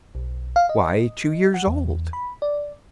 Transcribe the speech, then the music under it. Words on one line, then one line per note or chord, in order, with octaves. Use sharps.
"Why, two years old."
B1
F5
D#5
F#5
E2
B5
D5